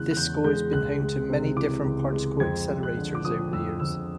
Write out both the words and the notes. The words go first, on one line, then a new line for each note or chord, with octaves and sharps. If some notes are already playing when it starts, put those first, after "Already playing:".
The school has been home to many different particle accelerators over the years.
Already playing: E2 C#3 E3 G#3 F#6
F#6
E2 G6
G#3 G6
C#2 F#6
G#3
C3
E3 D6
C#2
G#3
F2 G#6
F2
F#6
D3
D6
F3 D#6
F2 E6
F2 E6